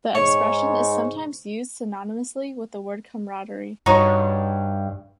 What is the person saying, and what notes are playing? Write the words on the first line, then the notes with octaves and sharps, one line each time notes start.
The expression is sometimes used synonymously with the word camaraderie.
G#2 C#5
G2 D#4 F#4 C#5